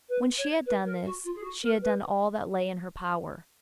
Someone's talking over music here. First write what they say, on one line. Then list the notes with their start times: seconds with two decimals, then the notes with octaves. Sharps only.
When she had done this, she had done all that lay in her power.
0.09 B4
0.37 C#5
0.66 B4
0.85 A#4
1.05 F#4
1.24 F4
1.35 G#4
1.43 F#4
1.63 A#4
1.82 B4